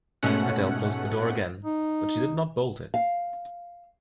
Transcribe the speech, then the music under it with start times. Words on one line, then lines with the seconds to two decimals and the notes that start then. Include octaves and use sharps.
Adele closed the door again, but she did not bolt it.
0.23 G#2 B2 A3 C#4 F#5
1.65 D#4
2.94 F5